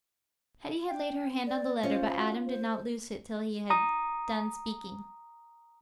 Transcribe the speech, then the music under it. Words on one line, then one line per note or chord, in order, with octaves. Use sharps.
Hetty had laid her hand on the letter, but Adam did not loose it till he had done speaking.
G5
D5
C#4 F4 C5
F#4
C5
A#5 D#6